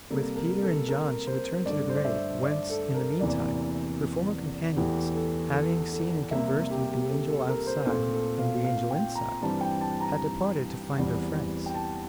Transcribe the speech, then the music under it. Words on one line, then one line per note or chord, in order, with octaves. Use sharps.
With Peter and John she returned to the grave, whence, in the mean time, her former companions, having seen and conversed with the angel outside and the angel inside, had departed to find their friends.
C3 G3 A#3 A4
A#4
A4
A#4
C5
G2 D3 A3 D5
C5
D5
E5
D5
A4
A#4
E2 C3 E3 A#3 D5
E2 E3 A3 G4
A4
A4
A4
C3 G3 A#3 E5
G4
G4
A4
A4
A#4
C5
A#2 A3 C4 A4
A4
F5
F5
G5
A#5
G2 E3 G3 C4 A5
G5
A5
A#5
E2 E3 G3 C4
G5
A5